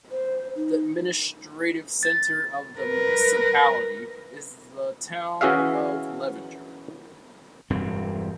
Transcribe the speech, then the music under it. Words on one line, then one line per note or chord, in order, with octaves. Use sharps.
The administrative centre of the municipality is the town of Levanger.
C5
D#4
A6
A#4 B4
E3 C#4 F#4 G#4 E5 F5
E1 G2 C4